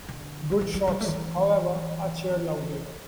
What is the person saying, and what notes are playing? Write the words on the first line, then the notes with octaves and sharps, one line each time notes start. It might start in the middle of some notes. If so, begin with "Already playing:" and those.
Good shots, however, are cheered loudly.
D3
G3
E3
G3
G3
A3
D3
E3